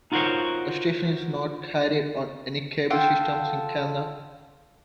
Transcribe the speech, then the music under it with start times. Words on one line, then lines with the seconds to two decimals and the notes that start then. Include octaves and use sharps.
The station is not carried on any cable systems in Canada.
0.12 D#4 F4 F#4 A#4 C5 C#5
2.90 F4 A4 F#5 G5